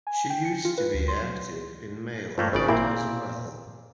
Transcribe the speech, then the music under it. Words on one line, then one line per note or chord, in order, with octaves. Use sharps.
She used to be active in mail art as well.
G#5
G5
C#7
F4
B4
D2
C6
F#3
G2 F3 A3 A#3
G#1 C#3 C#5 D5
A#2 A#3 C4 E4 G4